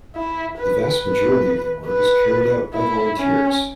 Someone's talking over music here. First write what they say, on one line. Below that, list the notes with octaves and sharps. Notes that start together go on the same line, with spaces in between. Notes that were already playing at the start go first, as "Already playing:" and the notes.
The vast majority of their work is carried out by volunteers.
E4
B4
B4
B4
E4
C#4